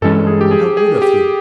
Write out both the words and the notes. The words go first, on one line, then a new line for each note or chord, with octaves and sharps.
"How good of you!"
G2 E3 G#3 C#4 A4
G#4
G4
G#4
G#4
G4